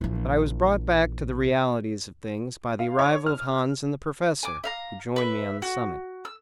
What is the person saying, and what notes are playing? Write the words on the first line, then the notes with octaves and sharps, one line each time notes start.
But I was brought back to the realities of things by the arrival of Hans and the Professor, who joined me on the summit.
A#1 E3
F5
C#5
F6
G#5 D6
E5 F5 A#5
B4 E5
F#4
E6